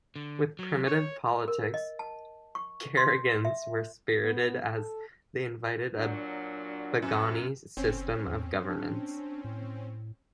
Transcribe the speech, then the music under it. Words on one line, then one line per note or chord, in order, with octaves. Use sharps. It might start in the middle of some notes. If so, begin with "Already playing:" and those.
With primitive politics, Caragans were spirited as they invited a "bagani system" of governance.
D3
F#3
C#5
A#4
D#5
A5
C#6
C6
E5
B3
A4
A#2 F#3 D4
F#2 E3 C4 C#4
F#1 C4 C#4
E2
D4
A2